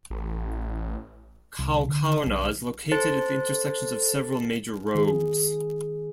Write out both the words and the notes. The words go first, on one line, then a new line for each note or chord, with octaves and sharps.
Kaukauna is located at the intersections of several major roads.
A1
C2
D3
B1
A4 C5
D#3 G#4